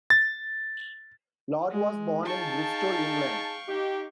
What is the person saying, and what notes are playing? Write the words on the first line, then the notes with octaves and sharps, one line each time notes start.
Lord was born in Bristol, England.
A6
G#3
D#4 G#4 F5 G5 A5 C#6
D#4 G4